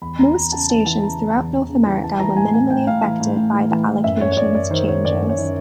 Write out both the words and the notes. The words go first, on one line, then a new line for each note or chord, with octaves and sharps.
Most stations throughout North America were minimally affected by the allocations changes.
E2 B5
E2 A#5
E2 A#5
C#3 A5
E3 A5
E3 A5
C#3 A#5
E3
E2
E2
C#3
E3
E3 A5
E3 A#5
A2 G#5
A2 G#5
A2 G5
A2 F5
E3
A2
A2
E3
E3
E3
F#2 E5
F#2 C#5
C#5
F#2 D5
F#2 D5
D#3 C5
D#3 C#5
F#2 D5
F#2
C#5
D#3